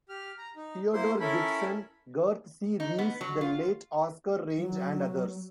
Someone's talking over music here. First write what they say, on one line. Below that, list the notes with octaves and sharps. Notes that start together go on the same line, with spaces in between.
Theodore Gibson, Garth C. Reeves, the late Oscar Range and others.
G4 F6
A#5
D#4
A#3 E4 C5 C6
C#4 E4 A4 A#4 B5
D#4
B3
F#3
F4
F#3